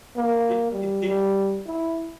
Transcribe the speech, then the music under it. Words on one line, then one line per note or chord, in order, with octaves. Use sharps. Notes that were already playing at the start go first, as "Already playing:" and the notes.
Did did di
A#3
G3
G3
E4